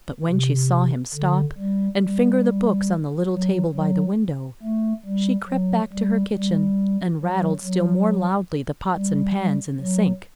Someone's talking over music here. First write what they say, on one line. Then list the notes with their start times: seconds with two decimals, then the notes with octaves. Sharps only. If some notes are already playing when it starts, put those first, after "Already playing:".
But when she saw him stop and finger the books on the little table by the window, she crept back to her kitchen--and rattled still more loudly the pots and pans in the sink.
0.29 C3
1.15 D3
1.58 G3
2.01 G3
3.32 F#3
3.75 F#3
4.62 A3
5.05 G3
5.49 F#3
5.93 G3
6.36 G3
7.23 F#3
7.65 F#3
8.95 G3
9.82 F#3